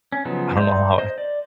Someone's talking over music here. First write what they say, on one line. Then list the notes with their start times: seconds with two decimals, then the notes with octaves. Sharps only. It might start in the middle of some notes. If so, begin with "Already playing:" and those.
I don't know how I"
0.12 C#4
0.25 C#3 F3 F#3 B3 D#4
0.57 D#4 D5 E5 C6 G6
0.98 C5 D#5
1.18 D5